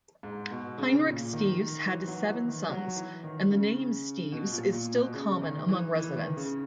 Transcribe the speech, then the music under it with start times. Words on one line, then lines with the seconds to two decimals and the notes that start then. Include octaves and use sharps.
Heinrich Steeves had seven sons and the name Steeves is still common among residents.
0.23 G#2
0.51 B2
0.78 C#3
1.05 A#2
1.33 D#3
1.60 D#3
1.87 E3
2.08 F#3
2.28 E3
2.48 D#3
2.69 F#3
2.96 E3
3.23 D#3
3.50 C#3
4.32 B2
4.52 A#2
4.73 A#2
4.94 B2
5.14 C#3
5.41 D#3
5.69 E3
5.95 E3
6.16 D#3
6.37 C#3